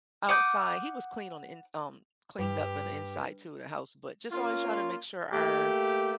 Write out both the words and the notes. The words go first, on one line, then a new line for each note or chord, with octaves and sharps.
outside he was clean on the ins um, cleaned up on the inside to the house, but just always trying to make sure our,
F#5 D6 D#6 G6
G2 G4 B4
A#3 C#4 F4
A3 A#3 G4